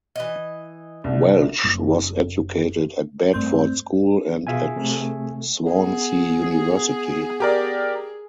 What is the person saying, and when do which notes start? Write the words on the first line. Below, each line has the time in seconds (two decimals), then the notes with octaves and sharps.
Welch was educated at Bedford School and at Swansea University.
0.16 E3 D#5
1.04 C2
1.64 F#1
3.33 G2 A3 C4 C6 G6
4.47 B2 F4 G#4 E5 G#5
4.76 C3 A3
5.71 B3 G#4 F#5
7.40 G4 A#4 D5